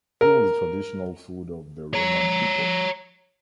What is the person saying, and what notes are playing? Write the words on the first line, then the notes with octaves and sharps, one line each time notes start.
It was a traditional food of the Roman people.
A#4
C#5 A#5